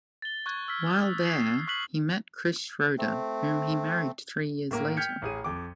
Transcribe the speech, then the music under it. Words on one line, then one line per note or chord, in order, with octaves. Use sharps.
While there, he met Chris Schroeder, whom he married three years later.
A6 G7
C#6 F#6 G#6
C#6 E6 F6 B6
D#6
B6 C7
C#6 F6 F#6 B6 C7 F#7
A3 C4
A2 A#3
G5 F6 G6 G#6 B6 C#7
A1 G#4 D#7
F2 D6